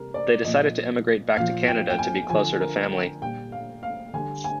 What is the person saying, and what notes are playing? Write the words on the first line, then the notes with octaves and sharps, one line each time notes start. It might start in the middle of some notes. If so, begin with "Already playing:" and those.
They decided to emigrate back to Canada to be closer to family.
Already playing: C3 G3 A#4
D5
A#2 F3 D#5
A#2 F3 F5
G5
G5
G#5
D3 F3 G#5
A#4
G5
A#2 G3 G5
F5
F5
D3 G3 G#5
G#5